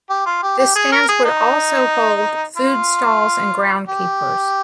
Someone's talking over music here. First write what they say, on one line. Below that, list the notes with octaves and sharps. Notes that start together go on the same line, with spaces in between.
The stands would also hold food stalls and ground keepers.
G4
F4
G4
G4
G#4
A#4
G#4
D#4
F4
G4